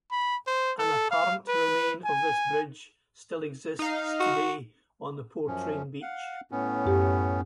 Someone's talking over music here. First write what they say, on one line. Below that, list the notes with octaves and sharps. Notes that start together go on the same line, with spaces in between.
An apparent remain of this bridge still exists today, on the Portrane beach.
B5
C5
A4
F5
B4
G#5
D#4 F5
F#4
F#2 F3 C#4
F5 F#5
A2 B3 C#4
F#2 G4